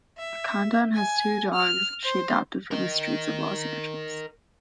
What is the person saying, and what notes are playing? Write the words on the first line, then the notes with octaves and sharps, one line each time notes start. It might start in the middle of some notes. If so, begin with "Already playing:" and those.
Condon has two dogs she adopted from the streets of Los Angeles.
E5
G#5
F6
C5
A#4 D#5